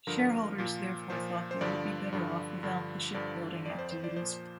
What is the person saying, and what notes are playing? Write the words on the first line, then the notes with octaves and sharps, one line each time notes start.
Shareholders therefore thought they would be better off without the shipbuilding activities.
G2 D3 F3 A#4
A#2 F3
A#2 F3 C5
C5
G2 D3 F3 D5
G2 D3 F3
G2 D3 F3
G2 D3 F3 D5
F2 F3 D5
C5
C5
D5
A#2 F3 C5